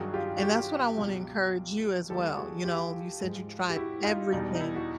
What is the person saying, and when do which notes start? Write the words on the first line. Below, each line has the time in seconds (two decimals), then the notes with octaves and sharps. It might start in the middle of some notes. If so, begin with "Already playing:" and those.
and that's what I wanna encourage you as well, you know? You said you tried everything,
Already playing: G2 D#3 F#3 F#4 G#4
0.14 F4 G4
0.37 F#4
0.43 F4 G4
0.97 C#2 B2 F#3
2.10 D#2 D#3 G3 G4 A4
2.37 F#4 G#4
2.65 F4 G4
3.21 G#2 F3 G#3
3.70 G4
3.76 E4 F#4
4.04 D#4 F4
4.32 E2 B2 G3 D#4
4.55 D#4
4.61 E4
4.76 F#4